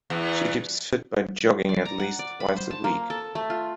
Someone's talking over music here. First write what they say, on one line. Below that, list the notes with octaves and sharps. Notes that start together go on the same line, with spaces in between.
She keeps fit by jogging at least twice a week.
E2
D5
A#5
F#5
D5
B5
C5
A5
A#3
A4
A3
F4